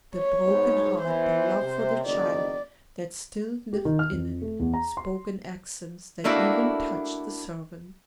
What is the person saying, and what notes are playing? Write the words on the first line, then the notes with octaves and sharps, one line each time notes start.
The broken heart, the love for the child that still lived in it, spoke in accents that even touched the servant.
C#5
G#2 B2
E2 E3 C5
C3
F#1 B1 D#3 D5
G4
D#3
F6
F2
A3
E2
A#5
C6
A3 A#3 D4 E4 F#4